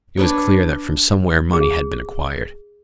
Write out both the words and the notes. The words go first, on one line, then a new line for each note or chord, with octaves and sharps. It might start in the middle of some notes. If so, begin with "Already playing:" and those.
It was clear that from SOMEWHERE money had been acquired.
D4 B4 C#5
G#4